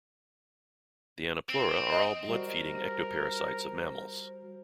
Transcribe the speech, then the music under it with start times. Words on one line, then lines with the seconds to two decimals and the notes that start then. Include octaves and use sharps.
The Anoplura are all blood-feeding ectoparasites of mammals.
1.49 C4
1.91 D#5
2.29 G3 F#4 A#4 C5